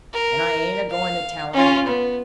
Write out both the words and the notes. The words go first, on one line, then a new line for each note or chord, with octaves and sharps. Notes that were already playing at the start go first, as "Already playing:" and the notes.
And I ain't a-goin' to tell him, either!
A#4
F5
C#4 F4
B3